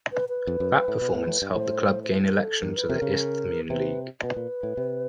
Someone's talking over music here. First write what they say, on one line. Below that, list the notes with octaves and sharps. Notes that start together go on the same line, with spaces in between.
That performance helped the club gain election to the Isthmian League.
B4
B4
F2
F#2
A2
B2
A2
A2
G2
A2 C5
C5
B4
A#4
A4
G2 A#4
B4
C3 A#4
C#3
C3 B4
B2 B4
A#2
A2
C3